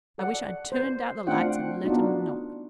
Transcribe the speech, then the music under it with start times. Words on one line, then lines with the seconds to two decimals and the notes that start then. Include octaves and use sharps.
I wish I'd turned out the lights and let 'em knock.
0.18 A4 D5 F#5
0.72 C5
1.27 A3 C4 D4 F4 F#5 G5
1.84 B3 D4 D#4 F4 F#4